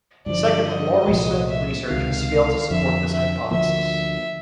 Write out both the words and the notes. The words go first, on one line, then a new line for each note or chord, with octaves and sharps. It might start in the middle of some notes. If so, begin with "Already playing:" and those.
Secondly, more recent research has failed to support this hypothesis.
G2 D3 F3 D5
D#5
C2 A#2 F3 A3
E5
C#2 C3 D#3 F5
F2 D3 F3 E5
E5
D2 D3 F3 A#3 E5